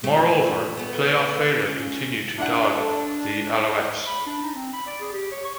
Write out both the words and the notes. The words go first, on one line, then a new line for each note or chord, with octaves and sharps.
Moreover, playoff failure continued to dog the Alouettes.
A#2 A3
A3 B3
C#4 F4
D4 E4 F#5
D4 A4
B5
D4
D#4
C4
B5
D5
G#4
G4
C#5
C#6